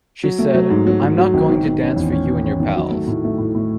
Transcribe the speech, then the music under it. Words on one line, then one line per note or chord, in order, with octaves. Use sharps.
She said: 'I'm not going to dance for you and your pals.
F#3
A3
F#3
G#2
F#3
F#3
F#3
G#1
D#3
D#3
C#4
E2
C#4
D#3
C#4
D#3
F#3
A3
A2
A3
A2
A2